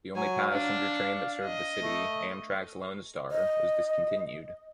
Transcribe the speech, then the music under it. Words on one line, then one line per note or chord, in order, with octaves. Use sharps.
The only passenger train that served the city, Amtrak's Lone Star, was discontinued.
F#3 G#5
D4 F5
D#5
A3
D#5